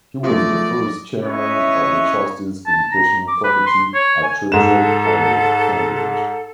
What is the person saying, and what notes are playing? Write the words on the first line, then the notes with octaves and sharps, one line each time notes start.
He was the first chairman of the Trustee's education committee at Churchill College, Cambridge.
F3 F#3 A3 F4 D5 D#5
C#4 E4 B4 C#5 D#5 E5
A5
A#5
D6
B4
C6
C#5
G#5
G#2 A4 E7